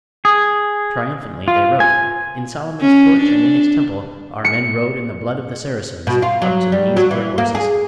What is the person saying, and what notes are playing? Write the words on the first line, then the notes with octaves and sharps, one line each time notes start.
Triumphantly they wrote "In Solomon's Porch and in his temple our men rode in the blood of the Saracens up to the knees of their horses."
G#4
F4
G#5
C#4
D4
C#7
B2
F4
F#3
G3
F#3
E3
A#3
G#4